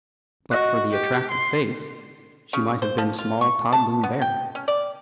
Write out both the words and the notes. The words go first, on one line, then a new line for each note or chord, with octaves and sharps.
But for the attractive face she might have been a small toddling bear.
F#4 D#5 F#6
G4
C6
C#3
C5
F3
F4
C#6
A5
B3
G5
C#4
D5